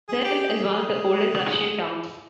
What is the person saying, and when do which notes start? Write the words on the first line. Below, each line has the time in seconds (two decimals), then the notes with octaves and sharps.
Suzdal is one of the oldest Russian towns.
0.08 G#4
0.25 G4
0.48 G#4
0.72 G#4